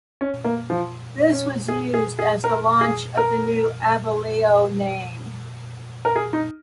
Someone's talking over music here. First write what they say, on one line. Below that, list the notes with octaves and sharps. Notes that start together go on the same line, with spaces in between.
This was used as the launch of the new Abellio name.
C#4
A#3
F3
C#4
G#4
G#4
G#4
A#4
G#4
A#4
A#4
G#4
D#4